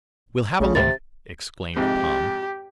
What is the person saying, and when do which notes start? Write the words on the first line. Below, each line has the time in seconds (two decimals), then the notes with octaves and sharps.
"We'll have a look!" exclaimed Tom.
0.60 A#1 C#3 A3
0.75 C#2 G#2 C3 D#3 A6
1.76 F2 G#2 C3 G4